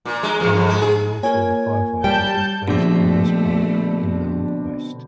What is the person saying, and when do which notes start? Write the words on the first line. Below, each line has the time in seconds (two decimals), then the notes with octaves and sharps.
A memorial for the firefighters was placed in West Park, Geelong West.
0.05 A#2
0.23 G#3
0.40 E2
0.55 F2
0.69 G#3
0.82 G#4
1.23 A#3 F4 A#4 C#5 G#5 G#6
2.04 G3 G5 A5 G6
2.68 A#1 B2 D3 A3 C4 D4 E5